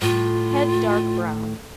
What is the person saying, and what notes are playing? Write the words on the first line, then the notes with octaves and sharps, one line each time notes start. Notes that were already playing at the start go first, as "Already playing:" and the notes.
Head dark brown.
A2 F4